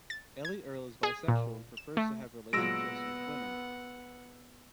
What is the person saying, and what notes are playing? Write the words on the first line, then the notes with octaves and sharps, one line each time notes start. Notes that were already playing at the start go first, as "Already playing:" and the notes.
Elli Erl is bisexual and prefers to have relationships with women.
A6
G#6
G#4
A#2
E7
A3
A#2 F#3 G#3 B3 F#5 E6 A#6 D7